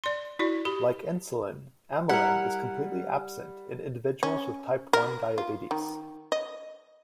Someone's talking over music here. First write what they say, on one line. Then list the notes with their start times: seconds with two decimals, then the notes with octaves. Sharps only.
Like insulin, amylin is completely absent in individuals with Type One diabetes.
0.04 D5 C6
0.39 E4 F#4 D5
0.65 G4 B5
2.09 G3 E4 A#4 F#5
4.23 C#4
4.93 A#4
5.38 F4
5.71 D#3
6.32 D#5